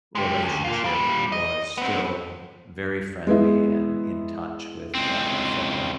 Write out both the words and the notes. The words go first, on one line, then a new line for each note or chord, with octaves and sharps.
relationship was still very friendly and in touch with a former
G#3 G4
D2
A#3 F4
A#2 G3
D#5
B3 C4
G#3 B3 E4
C#2 C4